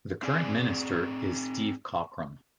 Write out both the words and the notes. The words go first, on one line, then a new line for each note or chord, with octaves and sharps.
The current minister is Steve Cochrum.
C4 G#4 D5 G#5